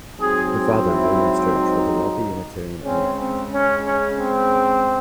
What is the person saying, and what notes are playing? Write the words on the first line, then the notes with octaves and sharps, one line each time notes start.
Her father, William Sturch, was a wealthy Unitarian ironmonger.
G#2 F#3 C4 G#4
G#4
E4
D#4
C#3 G#3 C4 C#4
C4
C#4
C#4
C4